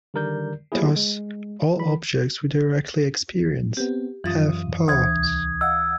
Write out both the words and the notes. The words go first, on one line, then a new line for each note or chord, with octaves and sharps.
Thus all objects we directly experience have parts.
D3 D#3 G3 A#4 D5 G6
F#3 G3 A#3 B3 E4 G#4
G#3
E3 B5
B3 C4 G4
F#2 E3 F4 D#6 A6
D2 E3 C5 B5 D#6 G#6
C2
D#5 F5 F#5 E6